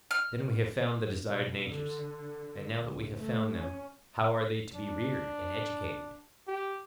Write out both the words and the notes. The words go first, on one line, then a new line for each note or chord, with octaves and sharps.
Then we have found the desired natures; and now that we have found them, how are they to be reared and educated?
F6
B2
D3
C#2
A3
C#4
D4
G4